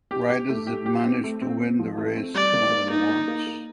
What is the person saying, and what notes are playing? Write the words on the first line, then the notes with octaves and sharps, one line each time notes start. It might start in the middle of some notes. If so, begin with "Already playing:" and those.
Riders that managed to win the race more than once.
G4
G4
A3
G4
G4
C4
A3
C4
C4
F3
A3
C4
G3 D5
A#3
A#3
A#3 D#4
A#3
A#3
A#3